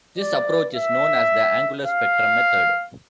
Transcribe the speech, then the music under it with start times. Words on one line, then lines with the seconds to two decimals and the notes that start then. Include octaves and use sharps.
This approach is known as the Angular spectrum method.
0.18 D5
0.74 E5
1.86 F5